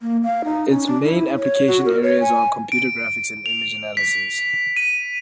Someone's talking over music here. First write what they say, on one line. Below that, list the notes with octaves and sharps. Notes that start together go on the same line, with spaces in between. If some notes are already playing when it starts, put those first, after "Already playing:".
Its main application areas are computer graphics and image analysis.
A#3
F5
D#4
C#4
D4
E4
C#5
F#4
A#4
C#5
G#5
D7
F7
B6
D#7